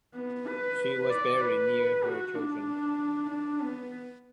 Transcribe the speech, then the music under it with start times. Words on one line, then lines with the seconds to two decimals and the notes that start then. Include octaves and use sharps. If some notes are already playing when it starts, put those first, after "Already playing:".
She was buried near her children.
0.14 B3
0.47 B4
1.09 D5
1.41 B4
2.04 F#4
2.35 D4
3.30 D4
3.62 B3